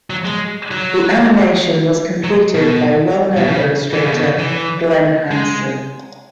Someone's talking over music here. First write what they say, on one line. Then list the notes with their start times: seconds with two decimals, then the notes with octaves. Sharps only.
The animation was completed by well known illustrator, Glen Hanson.
0.10 F#3
0.25 G#3
0.71 F#3
2.24 F#3
2.55 B2
3.37 B2
3.47 C#3
3.93 E3
4.02 C#3
4.12 B2
4.22 C#3
4.39 E3
5.31 G#3